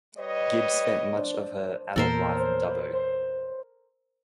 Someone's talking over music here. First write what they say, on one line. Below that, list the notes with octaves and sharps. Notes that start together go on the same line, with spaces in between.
Gibbs spent much of her adult life in Dubbo.
G3 B4 C#5 D#5
E2 A#2 A4 A#4 C5